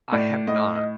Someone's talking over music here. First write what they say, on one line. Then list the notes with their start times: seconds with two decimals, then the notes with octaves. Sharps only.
I have not.
0.12 A2 D5
0.47 A2 D#5
0.76 D#5